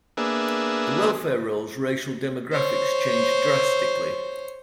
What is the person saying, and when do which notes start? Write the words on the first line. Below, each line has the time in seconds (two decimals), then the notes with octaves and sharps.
The welfare rolls racial demographics changed drastically.
0.17 A#3 B3 D4 G#4 E5
2.52 C5 C#5